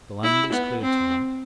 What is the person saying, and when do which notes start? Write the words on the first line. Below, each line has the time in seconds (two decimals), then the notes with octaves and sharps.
The land is clear to-night.
0.23 E4
0.52 B3
0.82 C4